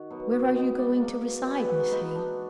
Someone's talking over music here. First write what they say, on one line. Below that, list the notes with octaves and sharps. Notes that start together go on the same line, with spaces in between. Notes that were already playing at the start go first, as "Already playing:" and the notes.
Where are you going to reside, Miss Hale?
Already playing: D#3 F#4
B2 F#3 B3
B2 G#3 B3 D#5
D5
B2 A#3
B2 G#3 B3 D5
B4
F#4
D#4
A#2 G#3 B3 D#4
D4